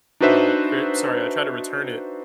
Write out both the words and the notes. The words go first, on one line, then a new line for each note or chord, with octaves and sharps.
Uh, I sorry, I tried to return it
D4 D#4 F#4 B4 C5 E5